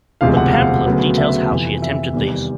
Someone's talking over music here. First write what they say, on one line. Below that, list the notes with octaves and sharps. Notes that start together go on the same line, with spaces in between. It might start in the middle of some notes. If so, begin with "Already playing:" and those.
The pamphlet details how she attempted these.
E1 D2 C3 F3 G#3 F5
F#5
F5
D2 C#3 F#3 B3
E5
F2 C3 E3
E5
E2 C3 D#3 G3